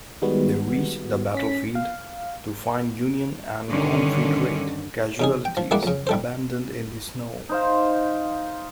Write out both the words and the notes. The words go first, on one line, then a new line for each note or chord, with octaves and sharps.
They reached the battlefield to find Union and Confederate casualties abandoned in the snow.
D#3 G3 G#3 B3 F#4
C#4 B6
F5
G2 D3 D#3 C#4
C#3 D#4 G#4
G5
F3
G3 G#3 A#3 E4 D5 F#5
F2 C#3
G3 A4 C5
D#4 C5 F5